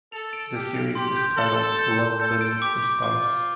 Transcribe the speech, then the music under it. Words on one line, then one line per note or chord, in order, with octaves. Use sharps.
The series is titled "Love Beneath The Stars".
A4 F7
D7
G4 F6
D7
G4 C6
G6
A4 C6
G6
G6
G6
A4 G6
D7
G4 D6
D6
F4 D6
D6